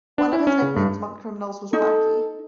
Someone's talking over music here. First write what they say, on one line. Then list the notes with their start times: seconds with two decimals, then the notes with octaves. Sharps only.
One of his nicknames among criminals was Blacky.
0.18 D4
0.33 E4
0.47 C#4
0.62 C#3
0.76 G2
1.73 D#4 A4